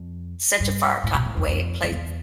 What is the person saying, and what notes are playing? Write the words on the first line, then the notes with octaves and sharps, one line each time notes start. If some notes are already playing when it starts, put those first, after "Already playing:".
such a far top way place.
Already playing: F2
G2
A2
B2
A2
F2
F2
F2
E2